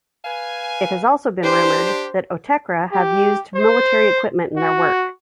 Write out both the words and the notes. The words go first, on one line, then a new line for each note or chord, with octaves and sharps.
It has also been rumoured that Autechre have used military equipment in their work.
B4 F5 G#5
D4 G4 C5
G4
C5
F#4